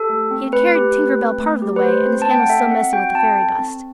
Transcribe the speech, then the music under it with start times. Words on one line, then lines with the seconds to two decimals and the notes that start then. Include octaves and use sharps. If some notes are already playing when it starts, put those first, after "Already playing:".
He had carried Tinker Bell part of the way, and his hand was still messy with the fairy dust.
Already playing: G4 A4
0.09 A3
0.31 C4
0.53 A3 B4
0.75 G4
0.97 A3
1.19 C4
1.40 A3
1.62 G4
1.76 B4
1.84 A3 C5
2.05 C4
2.22 A5
2.28 A3 G5
2.40 F#5
2.49 A4 E5
2.71 C4 F#5
2.93 F#4 G5
3.10 G5
3.15 C4 A5
3.37 A4
3.59 C4